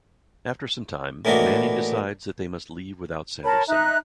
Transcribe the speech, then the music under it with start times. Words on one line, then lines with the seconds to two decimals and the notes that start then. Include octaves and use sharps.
After some time, Manning decides that they must leave without Sanderson.
1.25 A2 E3 A#3 D4 D#4 F#4
3.44 A#4 C#5 A5 B5
3.68 D#4 E5 A#5 F#6